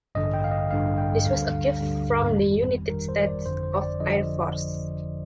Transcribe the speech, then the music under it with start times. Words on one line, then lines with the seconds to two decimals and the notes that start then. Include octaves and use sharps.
This was a gift from the United States Air Force.
0.15 A1 G2 D3 D#5
0.34 G5
0.44 F5
0.51 D#5
0.70 A1 G2 D3 F5
0.98 G5
1.25 D2 D3 G3 F5
1.81 D2 D3 G3
2.35 G1 F2 D#3 G3
2.90 G1 F2 D#3 G3 A#4
3.09 C5
3.27 D5
3.45 G1 F2 D3 F3 C5
3.63 C5
3.81 D5
4.00 D3 F3 D#5